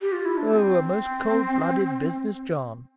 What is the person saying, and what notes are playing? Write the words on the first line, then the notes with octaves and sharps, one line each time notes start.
Oh, a most cold-blooded business, John!
G4
F4
E4
D4
D4
C4